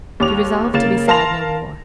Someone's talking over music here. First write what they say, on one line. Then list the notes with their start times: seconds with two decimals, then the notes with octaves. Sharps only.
She resolved to be sad no more.
0.20 D#2 D6 F7
0.73 C#3 A#3 A#4 A6 E7
1.07 A#4 F5 A5 C6 A#6 F7